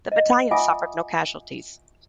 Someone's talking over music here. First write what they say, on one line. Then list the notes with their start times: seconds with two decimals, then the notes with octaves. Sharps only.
The battalion suffered no casualties.
0.12 D#5
0.51 F4 E5 F#5 G#5 D6 D#6